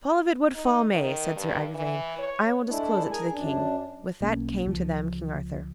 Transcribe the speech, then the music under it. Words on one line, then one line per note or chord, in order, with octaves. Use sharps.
"Fall of it what fall may," said Sir Agrivain, "I will disclose it to the king." With that came to them King Arthur.
D#4
D#3
G2
E3
C#5
G#3 A3 D4 E4
G#4 A#4 G#5
F#2 D4
B1 A#3 C#4
C#2 F3